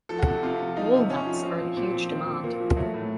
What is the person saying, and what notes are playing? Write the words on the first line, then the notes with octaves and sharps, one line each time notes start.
Walnuts are in huge demand.
F3 A4
F#4
C3 A4
C3 F4
F3
F3 D#4
C3
C3 C#4
F3
F3 C4
A#2
A#2 C4
F3
F3 C4
A#2
A#2 A#3
F3
F#3 A3
A2